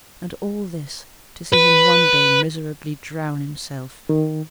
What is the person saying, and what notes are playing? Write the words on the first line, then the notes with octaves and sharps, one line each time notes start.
And all this to see him one day miserably drown himself!
B4
D#3